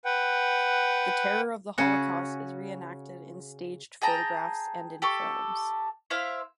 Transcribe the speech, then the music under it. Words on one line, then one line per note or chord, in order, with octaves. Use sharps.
The terror of the Holocaust is re-enacted in staged photographs and in films.
B4 F#5 G5
C#3 C#4 F#4
G#4 G5 A5 A#5
G4 A4 C#6
E4 C5 E5 F5